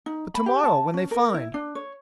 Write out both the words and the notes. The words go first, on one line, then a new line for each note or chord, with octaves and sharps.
"But tomorrow when they find...."
D#4
B5
G4
A5
C#4
A#4
E4
D4
C#5